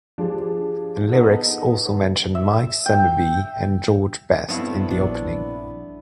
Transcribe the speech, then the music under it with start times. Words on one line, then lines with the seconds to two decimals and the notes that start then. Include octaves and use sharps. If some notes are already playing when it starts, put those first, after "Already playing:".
The lyrics also mention Mike Summerbee and George Best in the opening.
0.18 F3 D4 G4 G#4
1.12 B3 D#4 A4
1.86 B3
2.35 E5
2.86 G5
4.49 G2 A3 B3 C4 E4 F5
4.90 A#1 D4